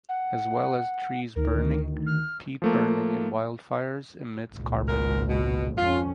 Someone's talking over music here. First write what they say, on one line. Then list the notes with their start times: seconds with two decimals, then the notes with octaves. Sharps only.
As well as trees burning peat burning in wildfires emits carbon.
0.09 F#5
1.36 D2 D#3 A#4
2.07 F6
2.62 F3 A3 A#3
4.53 G#1 C#2 A#2
4.88 G#2 B2 A#4
5.29 B2
5.77 F2 C#4 F4